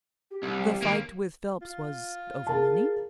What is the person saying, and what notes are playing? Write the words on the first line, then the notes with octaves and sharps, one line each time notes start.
"The fight with Phelps was over money?"
G4
C2
D#2 A#3
F4
G#4 A#4 A5